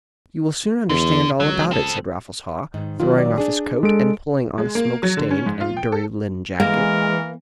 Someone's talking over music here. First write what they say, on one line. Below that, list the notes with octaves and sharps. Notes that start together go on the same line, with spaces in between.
"You will soon understand all about it," said Raffles Haw, throwing off his coat, and pulling on a smoke-stained and dirty linen jacket.
E2 D3
C#2 F#3
C4 A4
G#2 D#3
D#3 F#3 F4
D5
D4 G#4
G#3 A4 D7
G#3
A#3
F#3
D3
C#4
G#2
F4
G5
A4
E3 G#3 A#3 A#4